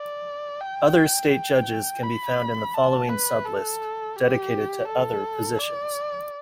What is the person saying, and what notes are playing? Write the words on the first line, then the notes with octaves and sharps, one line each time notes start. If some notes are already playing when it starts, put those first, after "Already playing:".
Other state judges can be found in the following sub-list dedicated to Other positions.
Already playing: D5
G5
G5
B5
A5
B4
A4
G4
A4
D5